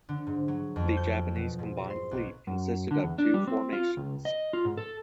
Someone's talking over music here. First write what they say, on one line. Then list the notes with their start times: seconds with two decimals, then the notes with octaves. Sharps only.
The Japanese Combined Fleet consisted of two formations.
0.09 D3
0.27 G#2
0.48 F#3
0.76 F2
0.97 G6
1.36 B2
1.59 G#2
1.77 C4
1.90 C6
2.11 B1
2.47 F#2
2.91 D3
3.04 E2
3.18 D4
3.34 G3
3.47 C4
3.73 F4
3.97 C#2
4.25 D#5
4.53 F4
4.65 G#2
4.78 A4